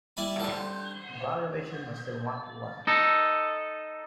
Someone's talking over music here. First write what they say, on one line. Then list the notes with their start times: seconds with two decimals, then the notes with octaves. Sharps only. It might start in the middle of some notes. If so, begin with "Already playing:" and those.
The valuation was still one-to-one.
0.17 G3 E4 D5 G#5 B5
0.40 G3 A4
2.87 D#4 A4